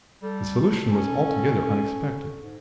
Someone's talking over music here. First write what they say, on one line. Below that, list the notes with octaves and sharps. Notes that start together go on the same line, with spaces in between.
The solution was altogether unexpected.
G3 A4
C#4
G#2